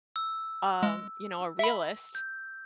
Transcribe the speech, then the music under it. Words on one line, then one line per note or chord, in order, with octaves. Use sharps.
um, you know, a realist,
E6
G#3
E5 B5
G6